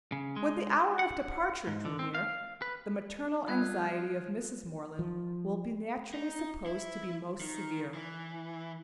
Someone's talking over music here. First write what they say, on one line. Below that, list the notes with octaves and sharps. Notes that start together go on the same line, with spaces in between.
When the hour of departure drew near, the maternal anxiety of Mrs. Morland will be naturally supposed to be most severe.
C#3
G#3
F#5
G#2
D3
C4
F5
B4
G3 C4 F4 B5 D#6 F#6 G#6
F3
D#4
E4
D#3
E3